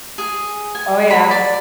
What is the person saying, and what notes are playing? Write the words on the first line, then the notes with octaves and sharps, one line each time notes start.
Oh, yeah.
G#4
G#5
B5
D5